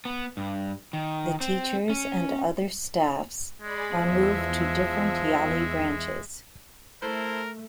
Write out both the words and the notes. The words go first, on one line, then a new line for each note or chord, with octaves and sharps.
The teachers and other staffs are moved to different Yali branches.
B3
G2
D#3
C4
C#4
G#3 G#4 D5 B5
E2 F3 E5
A3 E4 A4 A#4 C5